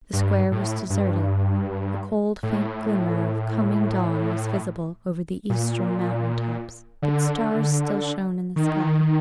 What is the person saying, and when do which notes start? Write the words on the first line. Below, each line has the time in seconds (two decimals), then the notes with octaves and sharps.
The square was deserted, the cold faint glimmer of coming dawn was visible over the eastern mountain-tops, but stars still shone in the sky.
0.13 G2
0.52 A2
0.90 G2
2.43 A2
5.50 A#2
7.02 D3
8.56 D#3